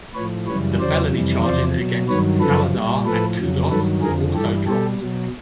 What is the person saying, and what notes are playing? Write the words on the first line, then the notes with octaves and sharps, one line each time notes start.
The felony charges against Salazar and Kouddous were also dropped.
A2 F3 B4 C#5
F#2 C#3 E3 G3 B4 C#5
E2 C#3 F#3 C5 D5
F2 C3 E3 G3
E2 C3 F3 C5 D5
B2 F#3
G2 D#3 F#3 B4 C#5
F#2 C#3 F3 A4 B4
A#2 G3
A2 F3 A4 B4
F2 C#3 F#3
G2 D#3 F#3 A4 B4
F2 D3 F3 G#4 A#4
G2 E3 G3 G4 A4
B2 G3 G4 A4
B2 F#3